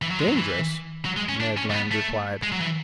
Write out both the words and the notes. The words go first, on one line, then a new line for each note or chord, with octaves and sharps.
"Dangerous?" Ned Land replied.
E3
F#3
G#3
F#3
E3
F#3
G#3
C#4
D4
C#4
A3
B3
A3
G#3
F#3
E3